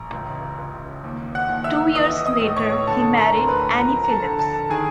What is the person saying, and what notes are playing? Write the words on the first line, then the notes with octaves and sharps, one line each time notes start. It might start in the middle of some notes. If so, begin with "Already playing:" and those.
Two years later, he married Annie Phillips.
Already playing: A1 A#5
C#2
C#2
D#2
F#5 F#6
D#2
E5 E6
E3 D#5 D#6
D#5 D#6
A2
C#5 C#6
D3 A4 A5
A#4 A#5
D2 C6
B4 B5
F3 A#4 A#5
A#5
A4 A5
D3
A4 A5
D#3 G#4 G#5